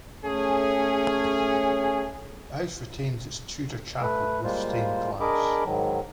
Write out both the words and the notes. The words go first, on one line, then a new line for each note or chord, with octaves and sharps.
The house retains its Tudor chapel, with stained glass.
A3 C#4 G#4
A3 B4
G3 G#3 A#3 F4 C5
D4 G#4 A#4 D#5 B5 D6
G#2 D#3 F#3